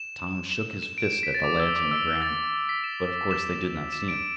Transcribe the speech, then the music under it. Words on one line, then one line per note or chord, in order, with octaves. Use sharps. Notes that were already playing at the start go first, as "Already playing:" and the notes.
Tom shook his fist at the lads on the ground, but of course they did not see him.
Already playing: E7
E7
E7
D7
D7
B6
A6
D6
E6
D6
E6
E6
A6
B6
E7
E7
E7
E7
D7